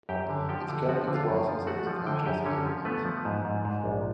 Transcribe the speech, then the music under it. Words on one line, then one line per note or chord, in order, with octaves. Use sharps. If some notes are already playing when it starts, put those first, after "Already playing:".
It can be classed as a detached escapement.
F#2 G4 G5
D3
F3 G4 G5
D3
F3 F#4 F#5
D3
F4 F5
F#2
F3
A3 F#4 F#5
F3
D3 G5
G#5
F#2 G4 G5
D3 C#4 C#5
F3
A3 B3 B4
F3
G#2
G#2
G#2
A#1